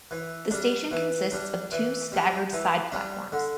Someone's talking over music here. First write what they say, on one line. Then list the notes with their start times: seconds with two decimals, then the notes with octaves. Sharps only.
The station consists of two staggered side-platforms.
0.11 E3
0.51 G3 D4
0.91 E3
1.32 G3 D4
1.72 E3
2.12 G3 D4
2.53 E3
2.92 G3 D4
3.32 D3